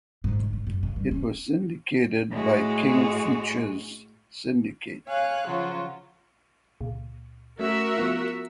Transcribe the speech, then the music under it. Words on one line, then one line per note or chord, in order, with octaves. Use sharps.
It was syndicated by King Features Syndicate.
G#2
D3
G#2
F#2
C#3
G2
C#4
A2 G#3 F#4
C#5 F5 G#5 F#6
C#3 F3 F#3 F4 F#4
C#2 A#2
A3 C#4 F#4 A#4 E5
F3 B3 F4